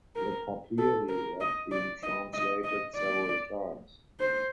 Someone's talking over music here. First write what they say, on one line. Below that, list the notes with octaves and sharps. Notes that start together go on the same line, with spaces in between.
The papyri have been translated several times.
A#4
A4
A#4
D#5
D5
D#5
D#5
D#5
D5
C5